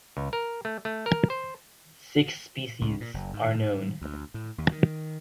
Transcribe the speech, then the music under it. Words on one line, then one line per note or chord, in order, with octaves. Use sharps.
Six species are known.
C#2
A#4
A3
A3
A#4
C5
C#2
A#2
F#1
G#2
D2
A2
D#2
D#3